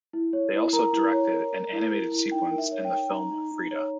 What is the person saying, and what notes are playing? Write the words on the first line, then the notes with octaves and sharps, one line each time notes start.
They also directed an animated sequence in the film Frida.
E4
C#5
E4
A#4 A#5
E4
C#5
A#4
A#4
E4
A#4
E4
D#4 G5
A#4
E5
C#5
G5
D#4
D#4 A#5
D#4
D#4
C#5